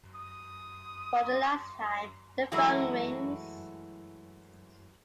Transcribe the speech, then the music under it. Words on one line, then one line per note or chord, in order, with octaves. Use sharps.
For the last time, the phone rings.
D#6
E3 F#3 G#3 A3 E4 F#4